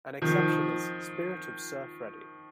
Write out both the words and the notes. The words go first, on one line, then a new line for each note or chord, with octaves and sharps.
An exception is "Spirit of Sir Freddie".
D#3 F3